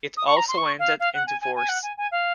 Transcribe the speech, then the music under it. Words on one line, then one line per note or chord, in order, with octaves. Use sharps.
It also ended in divorce.
D#6
C#6
A#5
C6
C#6
F5
F5
F#5
G#5
G#5
G#5
F#5
G#5
G#5
F5